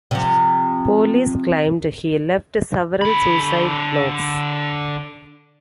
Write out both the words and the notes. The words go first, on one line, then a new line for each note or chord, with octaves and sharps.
Police claimed he left several suicide notes.
C3 F3
D3 B5